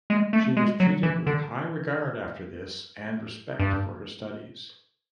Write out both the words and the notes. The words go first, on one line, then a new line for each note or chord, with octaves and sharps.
She was treated with high regard after this and respect for her studies.
G#3
A3
G#3
F#3
E3
D3
G2